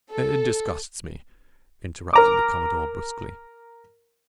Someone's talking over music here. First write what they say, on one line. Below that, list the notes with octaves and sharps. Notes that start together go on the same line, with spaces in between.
"It disgusts me," interrupted the commodore brusquely.
A4
A#4 A#5 D6